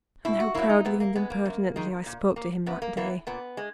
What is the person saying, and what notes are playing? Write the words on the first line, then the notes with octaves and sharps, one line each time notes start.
And how proudly and impertinently I spoke to him that day!
B2 E4
F#4
F#3 A#3 E4
D#4
A#2 B3
A#3
G#3 B3
A#3
F#2
D#3 G#3
A#2
A#3
F#2 B3
A#3
E3 A#3 B3
A#2 B3
G#3